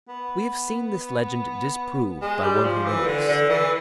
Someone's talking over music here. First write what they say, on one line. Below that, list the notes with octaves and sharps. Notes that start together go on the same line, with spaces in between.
We have seen this legend disproved by one who knows.
B3
G#3
G3
F3
E3
D3
D3
E3